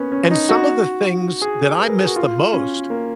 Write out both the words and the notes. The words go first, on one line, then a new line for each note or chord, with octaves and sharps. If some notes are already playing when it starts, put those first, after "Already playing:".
and some of the things that I miss the most,
Already playing: A#3 B3 C#4
C#4
D#4
F#4
G#4
B4
A#4
G#4
F#4
F4
C#4
A#3